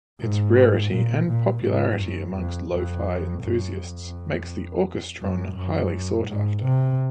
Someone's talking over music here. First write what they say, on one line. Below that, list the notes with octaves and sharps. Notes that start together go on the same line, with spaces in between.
Its rarity and popularity amongst lo-fi enthusiasts makes the Orchestron highly sought after.
G#2
A#2
A#2
G#2
F#2
F2
F2
F#2
F2
F#2
F#2
G#2
C3